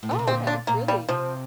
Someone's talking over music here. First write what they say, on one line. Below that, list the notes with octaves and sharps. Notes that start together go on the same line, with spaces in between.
Oh, okay. Really?
A2
A#2
C3
A#2 D3 C4
D4
A#2 A#3
G3
C3 F3